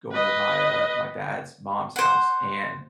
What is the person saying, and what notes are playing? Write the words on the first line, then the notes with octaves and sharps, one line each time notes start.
going to my, uh, my dad's mom's house, and
B4 D#5
C5 F#5